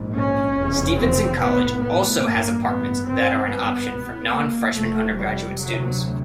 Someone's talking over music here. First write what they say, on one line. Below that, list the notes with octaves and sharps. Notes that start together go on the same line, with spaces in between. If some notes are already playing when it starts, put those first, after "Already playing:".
Stevenson College also has apartments that are an option for non-freshman undergraduate students.
Already playing: A#1 G#2
C#4
F1 E2 C#3
C4
B1 A2 B3
B3
A1 G2 A#3
B3
G#1 G2 C4
B3
C#2 B2
A#3
F1 F2 C3 A3
G3
D2 C3 F#3